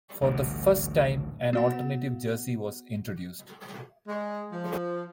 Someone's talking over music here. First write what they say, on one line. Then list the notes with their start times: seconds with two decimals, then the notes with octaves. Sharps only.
For the first time, an alternative jersey was introduced.
0.22 A1 D2 G2
1.53 B3 F#4 F#5
4.08 G#3
4.52 F3